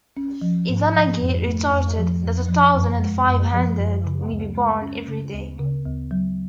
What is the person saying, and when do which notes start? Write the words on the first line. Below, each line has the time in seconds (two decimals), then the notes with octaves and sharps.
Izanagi retorted that a thousand and five hundred will be born every day.
0.17 C#4
0.41 F3
0.68 G#2
0.94 F3
1.20 F2
1.46 A3
1.72 F2
1.98 F3
2.23 F2
2.49 F3
2.74 F#2
3.00 G#3
3.26 F#2
3.52 F3
3.78 F#2
4.05 C#3
4.30 D2
4.55 G#3
4.81 C#4
5.07 C#3
5.34 D2
5.60 C#3
5.85 D2
6.11 F#3